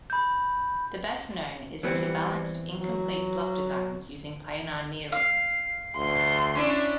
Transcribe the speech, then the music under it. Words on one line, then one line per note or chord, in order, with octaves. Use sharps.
The best known is to balanced incomplete block designs using planar near-rings.
B5 G6
E3 G3 B3 C4
F#3
F5
D2 C6
C#4 D4 E4